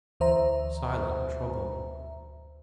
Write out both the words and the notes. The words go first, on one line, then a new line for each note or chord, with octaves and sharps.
Silent trouble.
D2 E3 C5 E5 A#5